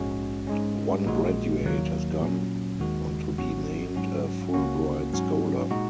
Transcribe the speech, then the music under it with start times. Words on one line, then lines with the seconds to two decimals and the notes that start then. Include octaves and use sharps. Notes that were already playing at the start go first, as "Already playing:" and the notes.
One graduate has gone on to be named a Fulbright Scholar.
Already playing: A#1 G#2 G#3 C#4 F#4
0.47 G#2 G#3 C#4
1.06 A#1 A#2 G#3 F#4
1.63 D#2 D#3 F#3 A#3
2.22 A#2 F#3 C#4
2.79 D#2 D#3 G#3 F#4
3.38 G#1 G#2 F#3 C#4 F#4
3.96 G#2 F#3 C#4 F#4
4.54 C#2 C#3 A#3 C#4 F#4
5.13 G#2 F#3 C#4 F#4
5.71 A#2 G#3 D#4 F#4